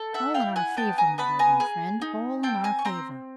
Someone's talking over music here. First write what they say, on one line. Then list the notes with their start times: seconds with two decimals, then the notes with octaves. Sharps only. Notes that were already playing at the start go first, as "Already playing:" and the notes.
All in our favor, my reverend friend--all in our favor!
Already playing: A4
0.14 E5 F#5
0.34 E4 F5 G5
0.56 F#5 G#5
0.77 B3 G5 A5
0.98 G#5 A#5
1.18 B3 A5 B5
1.39 G#5 A#5
1.60 G#4
2.02 D#4
2.43 C4 G5 A5
2.64 G#5 A#5
2.79 C#6
2.85 C4 A#5 C6